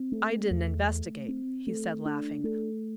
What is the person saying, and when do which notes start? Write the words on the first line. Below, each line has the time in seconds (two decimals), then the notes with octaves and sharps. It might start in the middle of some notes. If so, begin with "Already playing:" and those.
"I didn't investigate," he said, laughing.
Already playing: C4
0.12 A3
0.51 E2
0.89 A3
1.28 C4
1.67 A3
2.05 D4
2.44 A3